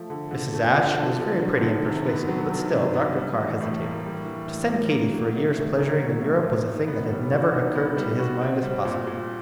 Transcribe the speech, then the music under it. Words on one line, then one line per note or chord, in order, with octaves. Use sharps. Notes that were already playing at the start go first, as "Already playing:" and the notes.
Mrs. Ashe was very pretty and persuasive, but still Dr. Carr hesitated. To send Katy for a year's pleasuring in Europe was a thing that had never occurred to his mind as possible.
Already playing: F3 A3
D3
D3
A3
F3
D3
D3
F#3
D#3
C3
B3
F#3
D#3
C3
B3
G3
E3
A2
A#3
G3
E3
A2
A#3
A#3
F#3
A2
A2
A#3
F#3
A2
A2
D#4
B3
G3
F#4
D#4
B3
G3
F#4
C4
G3
A#2
A#2